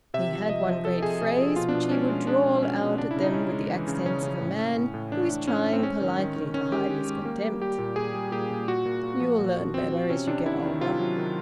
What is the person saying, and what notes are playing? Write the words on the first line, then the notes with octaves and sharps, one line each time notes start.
He had one great phrase, which he would drawl out at them with the accents of a man who is trying politely to hide his contempt: "You'll learn better as you get older."
C3 E5
F3
C3 D#5
F3
C3 A4
C3 G#4
C3
F3
B2 F4
D4
B2
G#3 C#4
G#3
G#3 D4
B2
G#3 C#4
B2
C#3 D4
E4
C#3
D#4
C#3 C#4
G#3
E3
C#3
C#3 C#4
C#3
A2
A2
A2
A2
E3 D4
A2
A2 C#4
A2
C4
G#3 C#4
D#3
D#3
D#3
D#3 C#4
G#3 G4
G#3
G#3
A#3
G3
G3 G4
A#2
A#2 G#4
G3
A#2 G4
A#2
A#2 F#4
A#2
A#2
F3
A#2
A#2
F3 C4
F3
C3 C#4
C3 D4
D#3 E4
D#3
C3 F4
F#3
D#3